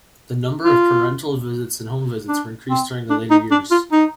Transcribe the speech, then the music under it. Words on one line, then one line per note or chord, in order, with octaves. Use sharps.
The number of parental visits and home visits were increased during the later years.
F4
D4
C4
D4
D#4
D4
F4
D#4